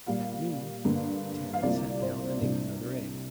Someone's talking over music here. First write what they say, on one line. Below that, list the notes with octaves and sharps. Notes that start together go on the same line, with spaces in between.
At noon Tad sat down and ate another egg.
A#2 G3 A#3 F5
G2 D3 A#3
F5
C2 C3 F3 A#3 D5
C5
C2 C3 G3 A#3 D4